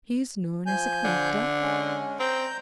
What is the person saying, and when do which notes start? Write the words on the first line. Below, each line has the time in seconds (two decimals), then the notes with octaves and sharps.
"He is known as a collector?"
0.66 F3 G#5 G6
1.05 D3
1.61 G#3 C#4
2.19 C4 A#5 G6